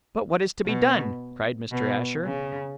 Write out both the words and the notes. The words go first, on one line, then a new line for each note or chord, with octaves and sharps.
"But what is to be done?" cried Mr. Asher.
B2
B2
C#3